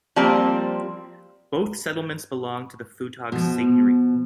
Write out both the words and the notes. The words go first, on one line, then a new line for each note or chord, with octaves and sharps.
Both settlements belonged to the Futog seigniory.
F3 G3 A#3 C4
B2 F3